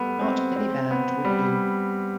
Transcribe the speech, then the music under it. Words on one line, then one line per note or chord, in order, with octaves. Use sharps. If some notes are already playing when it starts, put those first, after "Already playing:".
Not any band would do.
Already playing: G3 A3 B3
C4
C4
B3
G3